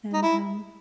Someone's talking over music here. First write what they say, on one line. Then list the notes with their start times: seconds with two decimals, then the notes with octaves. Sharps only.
and, um
0.13 D#4
0.23 E4